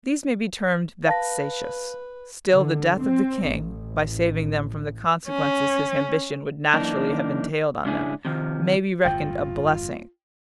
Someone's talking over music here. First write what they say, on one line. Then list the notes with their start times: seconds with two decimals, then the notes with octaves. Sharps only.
These may be termed vexatious; still the death of the king, by saving them from the consequences his ambition would naturally have entailed on them, may be reckoned a blessing.
1.06 B4 F5 A5 A#6
2.52 D3
2.99 C4
3.48 A1
5.29 C#4
6.74 F#2 E3 A#3 D4 D#4
7.85 G#2 C#3 D4 E4 G#4
8.25 C3 D#3 F3
9.05 G1 E2 A2 F4 G5